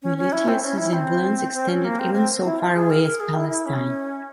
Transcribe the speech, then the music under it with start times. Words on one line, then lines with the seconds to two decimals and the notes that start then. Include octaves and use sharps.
Meletius's influence extended even so far away as Palestine.
0.02 C#4
0.18 C#4
0.32 E4
0.48 C4
0.63 C#4
0.78 E4
0.93 C4
1.54 C4
1.68 C#4
1.84 A#3
1.99 C4
2.14 C4
2.44 E4
2.59 F4
2.75 G#4
2.90 A#4
3.05 A#4
3.20 G#4
3.35 E4
3.50 E4
3.66 C#4